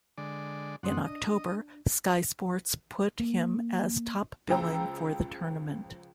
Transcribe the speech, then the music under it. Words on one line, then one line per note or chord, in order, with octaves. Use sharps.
In October, Sky Sports put him as top billing for the tournament.
D3 G#3 D5
F#2 D3 F#5 C6 D#6
D4 D#5
A#3
C#2 F3 G5 A#5 E6